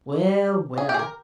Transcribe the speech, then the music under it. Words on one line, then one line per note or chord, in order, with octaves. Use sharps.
Well, well.
G#4
G4
G#4
A#4